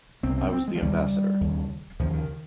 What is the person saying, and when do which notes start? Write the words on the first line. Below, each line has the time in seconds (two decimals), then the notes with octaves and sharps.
I was the ambassador.
0.23 C2 C3 C4
0.38 C4
0.53 C4
0.68 G#3
0.75 F3
0.82 D#2 C#3 G3
1.41 D#2 C#3
2.00 D#2 C#3 F3
2.13 D#3